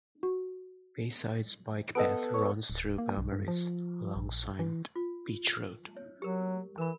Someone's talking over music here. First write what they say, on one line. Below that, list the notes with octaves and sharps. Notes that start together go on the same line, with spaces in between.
Bayside's bike path runs through Beaumaris, alongside Beach Road.
F#4
B3 A4 D#5 D7
C#5
D1
A#3
B1
G2
F3
A#1
E3
F4
C#5
F#3 G4 A#4
E3 A#4 B5